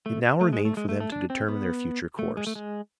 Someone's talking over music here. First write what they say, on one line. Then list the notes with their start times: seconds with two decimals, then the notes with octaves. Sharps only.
It now remained for them to determine their future course.
0.06 A3
0.41 A3
0.53 G#3
0.65 A3
0.77 G#3
0.89 A3
1.00 A3
1.12 D4
1.30 C4
1.48 B3
2.19 A3
2.37 G#3
2.47 A3
2.55 G#3